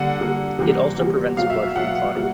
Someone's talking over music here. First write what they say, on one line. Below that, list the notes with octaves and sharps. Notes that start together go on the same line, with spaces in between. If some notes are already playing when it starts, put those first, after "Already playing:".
It also prevents blood from clotting.
Already playing: D3 G3 A#3 F#5
D3 G3 A#3
C3 E3 G3 A#3
C3 E3 G3 A#3
B2 F#3 A#3 F5
E5
E5
B2 F#3 A#3 F#5
B2 G3 A#3